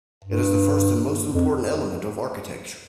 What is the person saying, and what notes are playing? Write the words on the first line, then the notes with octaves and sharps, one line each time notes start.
It is the first and most important element of architecture.
G2
F2